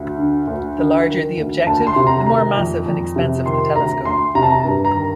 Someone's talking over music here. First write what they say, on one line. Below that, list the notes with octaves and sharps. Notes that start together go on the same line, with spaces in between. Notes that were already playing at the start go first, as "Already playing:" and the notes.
The larger the objective, the more massive and expensive the telescope.
Already playing: D2
D3
D2
D3
D#3
D2
D2 A5
C6
C3
A#5
D#3 A#5
F2
F2
C3
D#3 C6
D2 A#5
D2 C6
C3 A#5
A5
A#5
G2
A#5
D#3